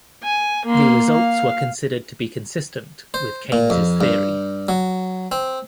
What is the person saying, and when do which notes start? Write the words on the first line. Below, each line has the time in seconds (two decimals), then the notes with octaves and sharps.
The results were considered to be consistent with Keynes' theory.
0.24 G#5
0.66 A#3 C6
1.11 F5
3.14 C5
3.52 A#2
3.70 F2
4.01 G2
4.68 F#3
5.32 C4